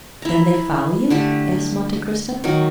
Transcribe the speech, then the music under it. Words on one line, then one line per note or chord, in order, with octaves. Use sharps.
"Then they follow you?" asked Monte Cristo.
E4 A#5
D3 A3 G4
D#3 F#3